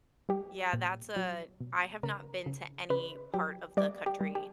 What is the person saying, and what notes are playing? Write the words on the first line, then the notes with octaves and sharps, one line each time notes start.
Yeah, that's a I have not been to any part of the country
G3 G4
A#2
F#3
B2
C#3 A#4
C#3
C#3 B4
F#3 G4
G3 D5
G4
G3
G4